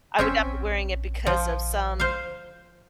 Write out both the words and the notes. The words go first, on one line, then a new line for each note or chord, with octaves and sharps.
I would not be wearing it because of some
F#1 C4 C#4 E5
A#1
F3
C5 F5